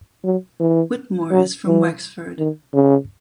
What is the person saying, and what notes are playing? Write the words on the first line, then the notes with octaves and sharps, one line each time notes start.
Whitmore is from Wexford.
F#3
E3
F#3
E3
D#3
C#3